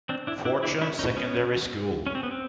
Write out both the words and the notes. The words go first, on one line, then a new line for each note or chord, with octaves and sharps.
Fortune Secondary School.
C4 D4
D4 E4
D4 E4
D4 E4
D4 E4
C#4 D#4
B3 C#4
C#4
C4
B3
C4